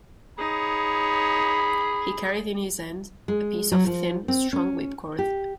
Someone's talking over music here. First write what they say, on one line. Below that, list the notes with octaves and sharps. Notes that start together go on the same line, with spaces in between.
He carried in his hand a piece of thin, strong whipcord.
D#4 G#4 C#5 B5
G#3
F#3
F3
C4
C#4
G4